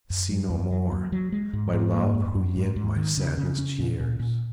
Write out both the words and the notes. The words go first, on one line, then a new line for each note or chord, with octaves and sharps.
I see no more My Love, who yet my sadness cheers.
F#2
F#3
F#2
F#3
F#3
F#3
G#3
G#2
G#2
A#3
F#2
F#2
G#2
G#2
D#3
C#3
C#3
C#4
A#2
A#2
A#2